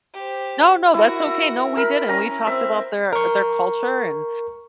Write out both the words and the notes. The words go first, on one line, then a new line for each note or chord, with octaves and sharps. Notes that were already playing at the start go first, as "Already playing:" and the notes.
No, no, that's okay, no, we didn't, we talked about their their culture and
G4 C5
E4 F#4 A#4
A#4 B5
C#4 A#5
C4 E5
A#4 C#6